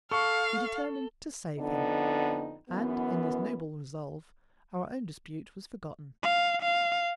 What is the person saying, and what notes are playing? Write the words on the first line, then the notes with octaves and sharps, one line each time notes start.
We determined to save him, and, in this noble resolve, our own dispute was forgotten.
A4 F5 C#6
F2 D3 B3 D#4
F#2 E3 B3
F5
F5